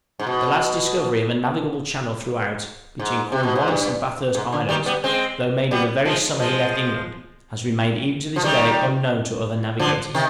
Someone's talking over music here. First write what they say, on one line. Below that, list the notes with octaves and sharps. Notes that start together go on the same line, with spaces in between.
The last discovery of a navigable channel throughout, between Cornwallis and Bathurst Islands, though made in the very summer he left England, has remained even to this day unknown to other navigators!
G#2
B2
G#2
C3
B2
G#2
G2
G#2
D3
D#3 G3
G3 B3
G#3 C4
G3 B3
F3 G#3
F3 G#3
F3
D#3 G3
D3 F3
C3 D#3